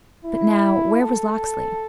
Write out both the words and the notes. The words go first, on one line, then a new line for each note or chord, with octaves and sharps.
"But now, where was Locksley?"
E4
A4